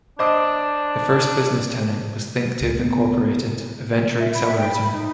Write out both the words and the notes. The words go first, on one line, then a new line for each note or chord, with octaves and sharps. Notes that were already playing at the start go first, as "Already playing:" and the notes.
The first business tenant was Thinktiv, Incorporated a venture accelerator.
D4 C5 D#5 D6
C#2
B3
E5
B5
E5
G5
B5
D#4